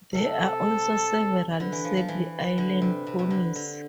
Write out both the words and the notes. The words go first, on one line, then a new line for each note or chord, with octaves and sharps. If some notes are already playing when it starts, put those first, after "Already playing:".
There are also several Sable Island Ponies.
C3 A4
D3 B4
E3
F3
F3
E3 B4
D3
C3
C3
C3
D3
D3